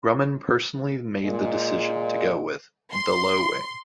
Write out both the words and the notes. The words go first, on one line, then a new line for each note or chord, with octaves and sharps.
Grumman personally made the decision to go with "the low wing".
A#2 G#3
C6